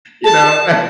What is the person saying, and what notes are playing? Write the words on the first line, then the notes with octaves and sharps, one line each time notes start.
you know. Uh
A5